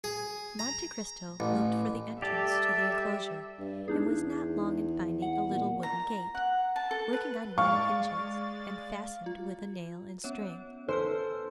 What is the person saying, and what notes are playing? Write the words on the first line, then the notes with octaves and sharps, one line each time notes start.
Monte Cristo looked for the entrance to the enclosure, and was not long in finding a little wooden gate, working on willow hinges, and fastened with a nail and string.
G#4
A#5
A1
G3 G4 A4 D5 E5
G2
E2 D4 D#4 G#4
F#5
A#2
A#5
F#5
A5
A4
B4
G#3 D5 F5 C#6 A6
F4
B3 C#4 C#5
D#4 A4 B4 C5 F6